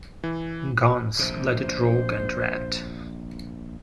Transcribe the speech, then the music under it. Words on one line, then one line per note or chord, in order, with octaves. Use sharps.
Guns, Let It Rawk, and Ratt.
E3
A#1 C3 C5